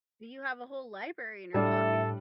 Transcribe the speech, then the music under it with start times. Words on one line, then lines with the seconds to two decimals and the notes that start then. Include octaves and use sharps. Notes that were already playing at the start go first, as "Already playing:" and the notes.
Do you have a whole library in your pocket?
1.54 A2 G3 D4 F4 G#4 A4 E5